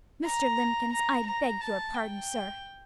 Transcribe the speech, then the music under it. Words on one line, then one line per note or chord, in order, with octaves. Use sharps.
'Mr. Limbkins, I beg your pardon, sir!
A#5
A#5
A#5
A5
G5